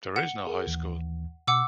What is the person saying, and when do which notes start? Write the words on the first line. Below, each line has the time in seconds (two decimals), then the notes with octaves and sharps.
There is no high school.
0.16 F#5
0.47 G#4 A#4
0.67 D#2 E3
1.47 B2 F#5 D6 E6